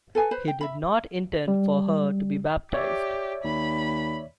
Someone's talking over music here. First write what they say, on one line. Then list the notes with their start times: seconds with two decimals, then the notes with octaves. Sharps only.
He did not intend for her to be baptized.
0.15 A4 B4 G#5
0.31 B4 C5 B5
0.48 G5
0.61 E5 B5
1.48 G3
2.74 G4 C#5 D5 E5
3.44 D#2 B5